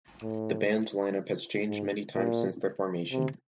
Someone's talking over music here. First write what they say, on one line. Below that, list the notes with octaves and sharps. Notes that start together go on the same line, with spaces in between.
The band's lineup has changed many times since their formation.
A2
G#2
A#2
C3